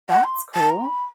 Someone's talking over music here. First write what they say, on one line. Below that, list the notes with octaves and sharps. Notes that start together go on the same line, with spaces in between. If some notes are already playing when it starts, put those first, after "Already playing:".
That's cool.
F#5
C6
A5
A#5
B5